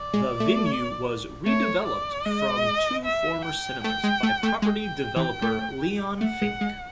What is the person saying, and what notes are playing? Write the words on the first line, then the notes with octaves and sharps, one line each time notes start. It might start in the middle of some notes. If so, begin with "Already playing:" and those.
The venue was redeveloped, from two former cinemas, by property developer Leon Fink.
Already playing: D5
G#3
A3
A3 C#5
D5
G#3 D#5
E5
G5
A3 G5
G#3
A3
A3
G#3 G5
E3
A3
A3 F#5
G#3
G#3